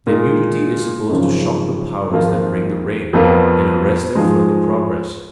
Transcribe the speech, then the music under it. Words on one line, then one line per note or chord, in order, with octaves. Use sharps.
Their nudity is supposed to shock the powers that bring the rain, and arrest their further progress.
A#2 G#3 D#4
G#1 F#2 C#3 F3
G#1 G#2 F3 A#3 F4
F2 F3 B3 F4 A#4
G#2 F3 G#3